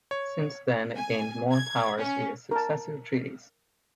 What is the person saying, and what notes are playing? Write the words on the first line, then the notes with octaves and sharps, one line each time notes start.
Since then it gained more powers via successive treaties.
C#5
G#5
G#6
C#4
A#4 A5